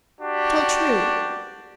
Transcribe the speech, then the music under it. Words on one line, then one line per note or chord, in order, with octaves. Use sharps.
Tell true.'
D4 F#4 G4